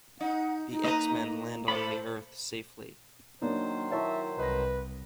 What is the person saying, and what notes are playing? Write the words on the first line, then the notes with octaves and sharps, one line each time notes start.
The X-Men land on the Earth safely.
D#4 F#5
D#4
A#3 B4 D#5 A#5
A3 A4 C5 D5 B5
D#3 F#3 A#3 D4 D#4 C5
E4 C#5 E5 A5
C2 B4 D#5 A#6